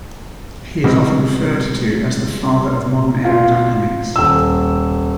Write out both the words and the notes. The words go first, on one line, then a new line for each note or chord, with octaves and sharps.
He is often referred to as the father of modern aerodynamics.
B2 G3 G#3 C4
F4
D#1 E6